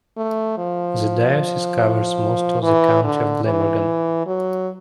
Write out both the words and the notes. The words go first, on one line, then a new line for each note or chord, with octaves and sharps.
The diocese covers most of the County of Glamorgan.
A3
F3
E3
D3
E3
F#3